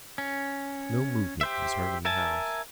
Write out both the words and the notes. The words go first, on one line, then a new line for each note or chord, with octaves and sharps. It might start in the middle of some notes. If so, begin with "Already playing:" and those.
No movement was heard in the house.
C#4
G4 C5 E5
A#4 E5 G#5 A5